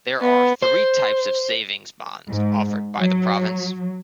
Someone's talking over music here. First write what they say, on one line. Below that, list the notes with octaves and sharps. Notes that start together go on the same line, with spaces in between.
There are three types of savings bonds offered by the province.
B3
C5
G#2
F#3